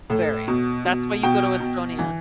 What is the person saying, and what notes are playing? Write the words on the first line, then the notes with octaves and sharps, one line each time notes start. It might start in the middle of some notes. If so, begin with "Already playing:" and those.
Very. That's why you go to Estonia.
A2
B2
B2
B2 G5
B2
E3